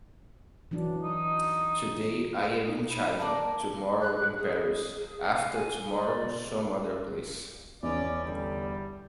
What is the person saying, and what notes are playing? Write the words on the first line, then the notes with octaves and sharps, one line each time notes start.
Today I am in China, tomorrow in Paris, after tomorrow some other place.
E3 F#3 D4
D#4
D#4
B5
A#3 A#4 D5 A5
F#6
G#4
F5
G#5
G#4
D5
E2 C#4 D#4 D5
D3 G3